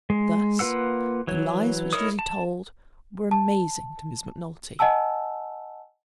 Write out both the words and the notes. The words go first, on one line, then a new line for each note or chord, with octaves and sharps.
Thus the lies which Lizzie told were amazing to Miss Macnulty.
G#3
A#3 F4 B4 F#5 E6
E3 F#3 C#5
D#4 E4 A#4 C#5 D#6
A5
A5
D#5 F#5 G#5 A5 E6